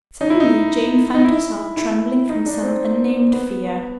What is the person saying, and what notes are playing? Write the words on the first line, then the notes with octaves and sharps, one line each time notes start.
Suddenly Jane found herself trembling from some unnamed fear.
D#4
E4
D#4
D#4
E4
E4
D#4
D4
C4
B3